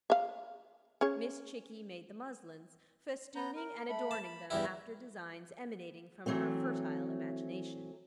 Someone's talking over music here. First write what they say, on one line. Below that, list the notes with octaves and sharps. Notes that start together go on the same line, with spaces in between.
Miss Chickie made the muslins, festooning and adorning them after designs emanating from her fertile imagination.
E5 F5
C#4 G#4 C#5
B3 A#5 G6
A#4
A3 B5
A5
B5
E2 G2 E4 G4 G5 F6
E3 F#3 A3 C4